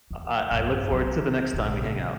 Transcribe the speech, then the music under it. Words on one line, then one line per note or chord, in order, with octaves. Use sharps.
I I look forward to the next time we hang out.
E2
B1 G2
F#3
A#1 C#3